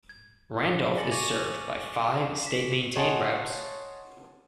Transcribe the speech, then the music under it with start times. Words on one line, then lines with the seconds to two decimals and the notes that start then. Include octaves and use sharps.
Randolph is served by five state-maintained routes.
0.09 G#6
0.63 D6 G7
0.98 G#5 A6 A#6 C#7 F#7
1.11 C#6 D6 G#6 D#7 F7 F#7
2.43 B6 E7
2.96 C#5 D#5 F#5 G#5 A5 C6